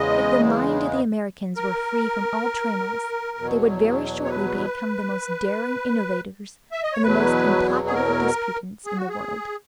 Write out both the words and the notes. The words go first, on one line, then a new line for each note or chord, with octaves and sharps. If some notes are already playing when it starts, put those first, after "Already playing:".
If the mind of the Americans were free from all trammels, they would very shortly become the most daring innovators and the most implacable disputants in the world.
Already playing: E2 C#3 G#3 D#5
A#4
E2 B2 F#3
C#5
B4
E5
D#5
C#5
E2 B2 F#3 B4
G#4
A#4
G#4
F#4
G#4